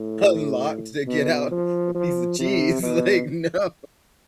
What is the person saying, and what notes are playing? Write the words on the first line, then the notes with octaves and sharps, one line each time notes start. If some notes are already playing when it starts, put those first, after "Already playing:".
unlocked to get out a piece of cheese," like, "No."
Already playing: A2
B2
F3
F3
C3
B2